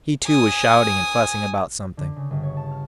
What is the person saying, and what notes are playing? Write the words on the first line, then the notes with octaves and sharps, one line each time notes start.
He, too, was shouting and fussing about something.
G#5 D#6
D3
C#3
G1
C#5
A5
F6